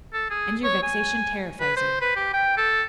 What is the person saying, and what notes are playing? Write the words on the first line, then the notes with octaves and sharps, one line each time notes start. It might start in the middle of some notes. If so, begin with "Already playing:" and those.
And your vexation terrifies you.
A4
G#4
C#5
G#5
B4
C5
B4
G4
G5
A4